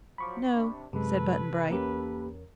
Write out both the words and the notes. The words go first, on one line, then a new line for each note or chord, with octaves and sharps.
"No," said Button-Bright.
F3 F#3 B5 C#6 D6
C3 D4
F#2 C3 G#3 A4 B4
E2 A#3 C#4 G4 A#4